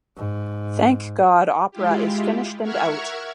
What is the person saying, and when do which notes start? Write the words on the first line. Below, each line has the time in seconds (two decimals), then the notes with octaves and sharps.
Thank God opera is finished and out.
0.17 G#2
1.71 G#3 E4 F4 G4
2.63 A#4 E5 F#5 C#6 F6 G#6